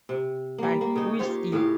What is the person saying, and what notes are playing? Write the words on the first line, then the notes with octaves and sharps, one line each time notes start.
And who is he?
C3
G3 A#3
A#3
C#3 D#4
F4 G4 C5 C#5
A2 C#3 G4 F5